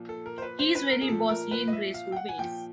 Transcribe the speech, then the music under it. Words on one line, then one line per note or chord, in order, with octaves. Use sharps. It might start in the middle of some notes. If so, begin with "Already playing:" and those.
He is very bossy in graceful ways.
Already playing: A#2 F3
A4
A#4
C5
B4
C5
B4
A#4
G#4
A#2 F3 A4
A#4
B4
D#5
E5
F5
G5
F#5
G#5
A#2 F3 G5